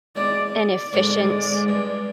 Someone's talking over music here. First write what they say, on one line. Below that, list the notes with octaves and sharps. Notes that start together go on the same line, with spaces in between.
an efficient,
G#3 D5
D5
G#2 D3 G#3
G2